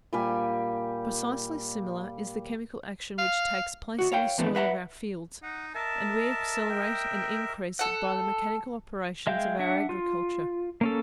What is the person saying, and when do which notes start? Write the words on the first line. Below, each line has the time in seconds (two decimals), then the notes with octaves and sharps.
Precisely similar is the chemical action which takes place in the soil of our fields; and we accelerate and increase it by the mechanical operations of our agriculture.
0.13 A#2 G3 G4 G#5
3.18 F5
3.99 D2 F#4
4.12 C#5 F5 G5
4.38 E2 G#2 F3 A3 B3 D4
4.55 B4 E5 F#5 A#5
5.43 D#4 F#5
5.75 A#4 D#5 E5 A5
6.70 G5
7.79 A4 F#5
9.27 G#3 E5 F5 G5 G6
9.59 D4 E5 F#5
9.89 F4
10.81 A#3 C#4 A4